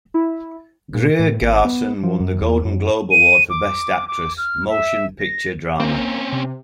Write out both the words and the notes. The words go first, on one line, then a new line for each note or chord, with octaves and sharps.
Greer Garson won the Golden Globe Award for Best Actress - Motion Picture Drama.
E4
A#2
A2
G#1
B3
F3
F#2
E2
F#2
D#7
D6
D6
F6
E5
A#6
A#3 C4 C#4
C3